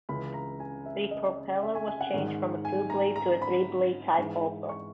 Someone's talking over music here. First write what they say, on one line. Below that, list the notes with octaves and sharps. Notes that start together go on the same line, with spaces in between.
The propeller was changed from a two-blade to three-blade type also.
C#2 C#3 E3 B5
A#5
G#5
E5
D#5
E5
G#5
G#5
F#5
G#2 D#3
G#5
A#5
A#5
B5
G#2 E3
C#6